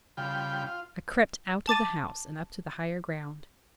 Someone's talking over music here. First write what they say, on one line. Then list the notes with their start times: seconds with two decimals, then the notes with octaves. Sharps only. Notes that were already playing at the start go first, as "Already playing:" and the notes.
I crept out of the house, and up to the higher ground.
0.17 C#3 G3 F4 G5 B5
0.66 F4
1.67 A5 D6 A6 D#7